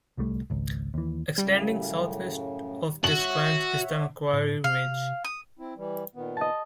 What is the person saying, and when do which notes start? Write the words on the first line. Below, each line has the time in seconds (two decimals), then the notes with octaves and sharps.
Extending southwest of this trench is the Macquarie Ridge.
0.17 D1 C2 G3 A3
0.50 G#1 C#2
0.94 D#2 E3
1.38 F#2 A2 C#3 G3
3.04 F#4 C#5 E5 F#5 F#7
4.33 A2
4.64 C3 F5
5.25 D#6
5.59 C4 E4
5.77 E3 G3
6.15 A#2 D#3 B3
6.37 D#5 A5